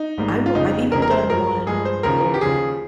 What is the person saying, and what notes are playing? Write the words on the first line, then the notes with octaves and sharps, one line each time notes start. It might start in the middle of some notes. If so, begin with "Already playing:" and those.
I will I've even done one, or
Already playing: D#4
G#1 G#2 G3 A#3
F4
F1 F2 C#3 D#4
F1 F2 C#3 A#4
A#4
C5
G2 F3 G#3 A#4
G2 F3 G#3 G#4
C5
D#2 C#3 F3 A#4
G4
D#2 C#3 F3 G#4